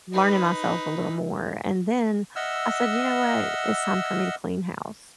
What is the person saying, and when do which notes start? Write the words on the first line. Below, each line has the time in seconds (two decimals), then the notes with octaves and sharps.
learning myself a little more and then, I said, "You know what? It's time for me to clean house."
0.13 D#4 B4
2.36 D#5 E5 F#5 E6 F6